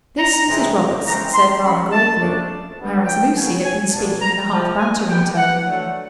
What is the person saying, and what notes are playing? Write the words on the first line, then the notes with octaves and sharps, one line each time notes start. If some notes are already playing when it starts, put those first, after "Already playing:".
This Mrs. Robarts said rather gravely, whereas Lucy had been speaking in a half-bantering tone.
A#5
C3 E3 G#3
C#3 E3 G#3 C4 A#5
C6
D#3 G#3 C#4 B5
A5
C#3 F3 A3 D4
G2 D3 G3 B3
G5
C#3 F#3 B3 G#5
G#5
B2 G3 A#3 D4 A5
A#5
C3 F3 G#3 A5
G#5
D#3 G3 B3 D4 G5
F#5
D3 F#3 A3